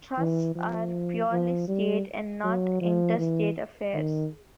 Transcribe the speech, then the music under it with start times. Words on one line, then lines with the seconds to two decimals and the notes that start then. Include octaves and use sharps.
Trusts are purely state, and not interstate affairs.
0.17 E3
0.55 F3
1.31 F3
1.68 G3
2.44 F#3
2.81 F3
3.18 E3
3.94 D#3